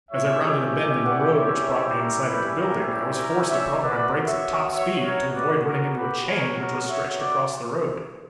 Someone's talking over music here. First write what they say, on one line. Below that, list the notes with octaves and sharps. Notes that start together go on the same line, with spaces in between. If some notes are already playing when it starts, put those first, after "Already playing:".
As I rounded a bend in the road which brought me in sight of the building, I was forced to put on my brakes at top speed to avoid running into a chain which was stretched across the road.
G3 C#4 E4 G4 C#5 E5
D5 F#5
C#5 E5
C#5 E5
A#4
G4 B4
A#4
G4
A#4
C#5 E5
B3 F#4 B4 D5
C#5 E5
C#5 E5
A#4 C#5
B4 D5
A#4
G4 B4
A#4 C#5
A#4 C#5
C#5 E5
D5 F#5